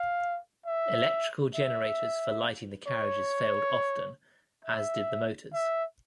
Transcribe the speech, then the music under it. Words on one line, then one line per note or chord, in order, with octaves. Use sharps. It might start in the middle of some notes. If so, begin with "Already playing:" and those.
Electrical generators for lighting the carriages failed often, as did the motors.
Already playing: F5
E5
E5
C#5
E5
E5